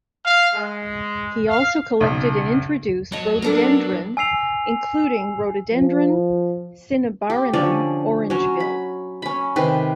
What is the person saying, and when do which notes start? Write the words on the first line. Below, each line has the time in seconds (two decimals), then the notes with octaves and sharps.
He also collected and introduced rhododendron including Rhododendron cinnabarinum 'Orange Bill'.
0.24 F5
0.54 G#3
1.48 F5
2.01 B1 C#3
3.12 F#3 D#5 A5
3.42 B3 D4 A4 A#4
4.17 G#5 E6 C7 F7
5.72 F3
7.30 G4
7.53 D3 F3 C#4 D5
8.30 F#3 C#4
8.60 B5
9.22 C#4 B5
9.56 C3 D#3 C4 B4